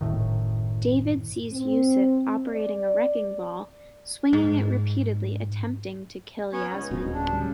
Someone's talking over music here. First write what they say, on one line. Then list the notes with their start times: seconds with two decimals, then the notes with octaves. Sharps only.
David sees Yussef operating a wrecking ball, swinging it repeatedly attempting to kill Yasmin.
0.01 F#1 B1 A2 D#3
1.53 C4
2.47 D5
4.33 G#2
6.53 B3 C#4 C#5
6.73 C#2 D#4
6.91 D1 B2
7.13 C#3 D4
7.33 G3